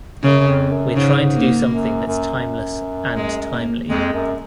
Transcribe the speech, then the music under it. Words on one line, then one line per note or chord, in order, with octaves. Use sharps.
We're trying to do something that's timeless and timely.
F#2 C#3
F2
F#2
G#2 C#3
A#3
F#2
F#2
G#3
A#3
F2 G#3
F#2